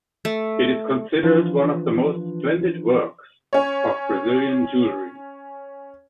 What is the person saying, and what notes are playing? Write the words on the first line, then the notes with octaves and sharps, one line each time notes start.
It is considered one of the most splendid works of Brazilian jewelry.
A3
E3 F3 D4 F4 B4
C#4 C#5